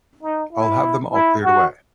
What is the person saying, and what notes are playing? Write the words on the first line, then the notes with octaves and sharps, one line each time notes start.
I'll have them all cleared away.
D#4
E4
E4
F#4